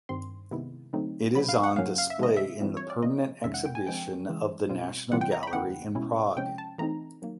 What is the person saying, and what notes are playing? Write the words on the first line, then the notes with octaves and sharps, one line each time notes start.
It is on display in the permanent exhibition of the National Gallery in Prague.
G2 D#3 G3 C4 C6
C3 D#3 G#3 B3 E4
D3 F#3 A3 C4 D#4
C#3 F#3 B3 D4 B5
F5
F#5
F#2 C#3 F#3 A#3 C#4 F5
F5
E5
C3 D#3 G#3 D#5
E5
E3 G3 C4 F4
C#5
D5
C#3 F3 A#3 D#5
F2 C3 D#3 G#3 C#4 E5
F#5
G5
G#5
D3 F3 G#3 C4 G5
C#3 E3 G#3
B2 G3 C4 F4
C3 E3 G3 C4 F4 F#5
G5
A#5
B5
G5
E2 C#3 E3 A3 F#5
B2 G#3 C#4 E4
C3 F3 G#3 C#4 G5
A5
E3 A3 C4 D#4 A#5
D#3 F#3 A#3